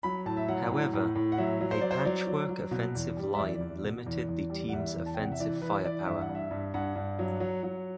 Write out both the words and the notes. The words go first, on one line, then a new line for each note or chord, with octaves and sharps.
However, a patchwork offensive line limited the team's offensive firepower.
F#3 B5
A2 A5
E5
F#3 F#5
A2
A2
A2
F#5
F#3 E5
F#3
C5
F#3 D5
C5
F#3 D5
F#3
F#3
B2
E2
G3
E5
E2 D5
E2
B2
E2
E2
G3
F#5
E2 E5
E2
A5
G5
C3
F#5
E5
E3 D5
E3 B4
E3 D5
G2 E5
F#5
G2
E5
G2
G2 F#5
G2
F#3
F#3
F#3